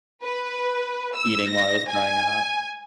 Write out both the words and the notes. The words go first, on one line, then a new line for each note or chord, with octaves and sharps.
eating while I was growing up."
B4
E6
A#6
G#5